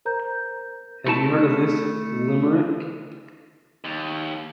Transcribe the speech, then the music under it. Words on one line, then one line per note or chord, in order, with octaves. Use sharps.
Have you heard this limerick?
A#4 C5 A#5 G6
A3 E4 A5
D#2